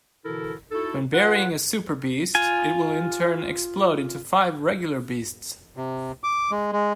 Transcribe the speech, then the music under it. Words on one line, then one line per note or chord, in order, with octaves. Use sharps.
When burying a "super-beast" it will in turn explode into five regular beasts.
B2 D3 E3 E4 A4 A#4
D#4 E4 F#4 A4
F4 B4 F#5
F4 G#5
C3
D6
G#3
G#3